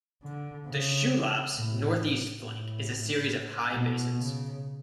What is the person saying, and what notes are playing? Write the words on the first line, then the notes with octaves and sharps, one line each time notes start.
The Shulaps' northeast flank is a series of high basins.
D3
C#3
A2
A2
B2
C#3